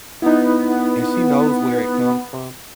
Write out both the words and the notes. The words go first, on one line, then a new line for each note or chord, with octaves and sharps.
and she knows where it comes from,
B3 D#4 E4